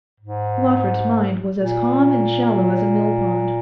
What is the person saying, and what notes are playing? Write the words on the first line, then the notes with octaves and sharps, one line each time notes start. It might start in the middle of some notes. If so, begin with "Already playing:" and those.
Lawford's mind was as calm and shallow as a millpond.
G#2
A#2